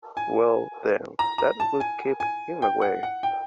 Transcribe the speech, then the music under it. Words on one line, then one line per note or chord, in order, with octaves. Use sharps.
Well! Then, that will keep him away.
G#5
A#5
A#5
A5
G#5
G#5
G5
F#5
F#5
G5